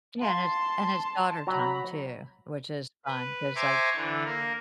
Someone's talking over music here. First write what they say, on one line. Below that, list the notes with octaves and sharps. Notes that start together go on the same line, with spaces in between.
Yeah, and it's and it's daughter time too, which is fun 'cause, like,
F5 A5 C6
F#3 A#5 B5
B4
C5 E5 G#5 A#5 C#6 D6
D3 E3
A#3 A#4